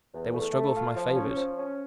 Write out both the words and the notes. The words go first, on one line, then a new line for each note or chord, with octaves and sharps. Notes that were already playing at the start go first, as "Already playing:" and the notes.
They will struggle for my favors.
E2
A3
A3
F4
F3
C#4
F3
C#4